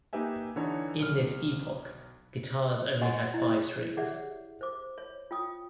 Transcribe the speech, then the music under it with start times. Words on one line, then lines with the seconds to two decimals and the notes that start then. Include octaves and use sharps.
In this epoch, guitars only had five strings.
0.13 A#3 D#4 G4 B4 E5 G#5
0.56 D3 E3 D4 D#4 C#5
0.99 B1 F6
3.01 F#4 D#5 F#5 G#5 C6 C#6
3.34 E4 D#5
3.97 G4 G#4 C#5 D5 E5 F#5
4.61 C5 D6
4.98 C#5
5.31 F4 G5 D#6